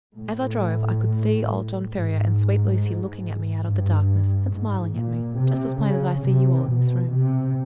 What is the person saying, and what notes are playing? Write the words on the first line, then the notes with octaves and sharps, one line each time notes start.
As I drove, I could see old John Ferrier and sweet Lucy looking at me out of the darkness and smiling at me, just as plain as I see you all in this room.
A2
G#2
G2
G#2
A#2
C3
C#3
C3
B2
C3